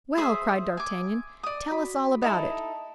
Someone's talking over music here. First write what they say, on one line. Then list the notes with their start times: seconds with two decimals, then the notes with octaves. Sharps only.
"Well!" cried d'Artagnan, "tell us all about it."
0.18 G#4 C5 E5 C6 D#6 E6
0.77 G#5 D6
1.43 D5 D#6
1.71 F#4 B5
2.22 D#4 E4 A4 A5 A#5 D#6